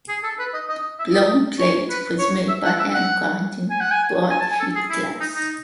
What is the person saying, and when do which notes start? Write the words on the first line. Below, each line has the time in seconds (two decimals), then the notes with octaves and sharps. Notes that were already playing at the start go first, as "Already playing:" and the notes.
Blown plate was made by hand-grinding broad sheet glass.
0.09 G#4
0.24 A4
0.39 B4
0.54 D#5
0.69 D#5
0.99 E5
1.14 D#5
1.59 C#5
1.90 B4
2.19 C#5
2.49 E5
2.65 F#5
2.79 E5
2.94 F#5
3.70 G#5
3.80 F#5
3.91 G#5
4.30 G#5
4.40 A5
4.51 G#5
4.60 A4
4.76 G#4
4.90 E4
5.20 D#4
5.35 D#4